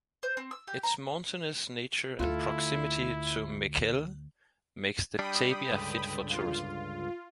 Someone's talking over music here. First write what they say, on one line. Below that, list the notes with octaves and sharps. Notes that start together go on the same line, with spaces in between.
Its mountainous nature and proximity to Mekelle makes the "tabia" fit for tourism.
C5
C4
E6
G4
A#5
D2 E4 F4 A4
G3 D4 G5 B5 D#6
C#2 G2 D3
F4